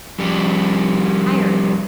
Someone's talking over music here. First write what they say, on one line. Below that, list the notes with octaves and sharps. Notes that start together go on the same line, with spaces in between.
"I'm hired."
F2 G3